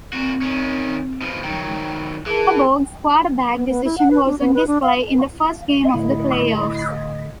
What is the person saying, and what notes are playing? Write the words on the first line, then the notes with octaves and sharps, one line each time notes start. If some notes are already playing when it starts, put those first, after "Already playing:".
Harbaugh's quarterback decision was on display in the first game of the playoffs.
A#2 C4 F#4
D#3 C#4
B2 F3
D#3 F#3 G5
E3 G#4 A#4 A5
B3
B3
E4
F#5
B4
D4
B3
B4
D4
F5
A2 D3 E4 D#5